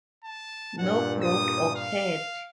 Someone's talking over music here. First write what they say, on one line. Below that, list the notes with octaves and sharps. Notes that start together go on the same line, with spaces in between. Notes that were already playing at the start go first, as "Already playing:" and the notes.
No growth occurred.
A5
G2 A#2 F#5
D#6
F5